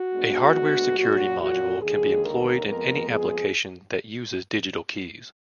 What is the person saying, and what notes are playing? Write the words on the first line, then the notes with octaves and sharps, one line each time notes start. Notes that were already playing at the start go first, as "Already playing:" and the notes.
A hardware security module can be employed in any application that uses digital keys.
Already playing: F#4
D2 D3 G#3 B3
A#2 F#3 A#3 F#4
F#4
D#2 D3 G#3 G#4
A#4
F2 F3 G#3 B3 A#4
G#4